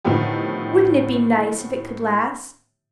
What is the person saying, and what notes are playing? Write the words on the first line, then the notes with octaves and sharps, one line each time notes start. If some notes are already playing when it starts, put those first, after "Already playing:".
Wouldn't it be nice if it could last?
A2 D3 D#3 F3 B3 G4